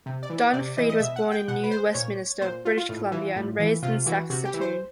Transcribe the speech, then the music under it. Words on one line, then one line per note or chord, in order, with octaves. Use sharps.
Don Freed was born in New Westminster, British Columbia and raised in Saskatoon.
C3
D5
E3
D5
C3 D5
E3 D#5
D#5
B2 E5
F#5
G5
B2 F#5
B4
C5
A#2 C#5
A#2 C5
F4
F4
A2
E3
A2
E3
C3 F4
E3 F#4
C3 F#4
G4
E3
C5